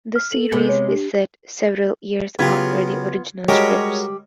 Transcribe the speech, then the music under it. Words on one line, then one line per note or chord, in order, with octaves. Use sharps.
The series is set several years after the original strips.
F6
A4 F#7
C3 G#3 B3
C#5
D4 G4
C#3 F#3 B3 F4 G4 G#6
G3 G#3 F#4 G4 A#4 C#5 D#5